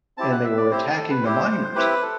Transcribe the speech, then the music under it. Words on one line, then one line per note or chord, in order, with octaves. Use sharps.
and they were attacking the miners.
C4 E4 G4 A5
F#5
E5
D5
C4 E4 G4 C5
A4
A4
B4
C4 E4 G4 C5
C4 E4 G4 B4
A4